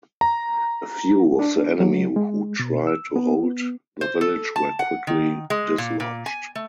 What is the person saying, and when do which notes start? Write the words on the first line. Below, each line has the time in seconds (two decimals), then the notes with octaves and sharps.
A few of the enemy who tried to hold the village were quickly dislodged.
0.21 A#5
1.39 D4
1.80 F#3
2.16 G#3
2.59 B2
2.87 E6
3.16 B3
4.01 C5
4.21 A4
4.56 A5
4.79 F#5
5.07 D#3
5.50 G#3
5.78 A#2
6.00 A#2
6.26 G#5
6.55 A3